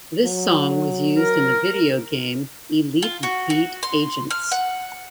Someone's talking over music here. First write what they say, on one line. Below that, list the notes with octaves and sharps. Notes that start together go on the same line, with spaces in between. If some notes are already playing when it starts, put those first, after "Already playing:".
This Song was used in the video game Elite Beat Agents.
F#3
A#4
F4
F#4
F#4
C6
F6
F#5